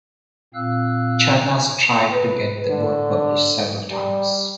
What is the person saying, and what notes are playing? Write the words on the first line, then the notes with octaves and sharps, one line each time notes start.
Charnas tried to get the work published several times.
A#2 C4 F5 E6 F#6
B4
D3
G3